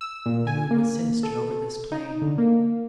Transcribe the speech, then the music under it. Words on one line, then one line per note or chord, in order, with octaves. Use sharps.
The moon was sinister over this plain.
E6
A#2
G#5
A#3
A4
D#4
D3
A#3